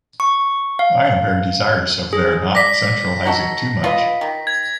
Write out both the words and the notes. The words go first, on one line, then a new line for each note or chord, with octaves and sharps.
I am very desirous of their not centralizing too much.
C#6
F5
G#4
D5 A#6 B6
D#4 F#4 A4
F4 B4 D#5
D#3
G#6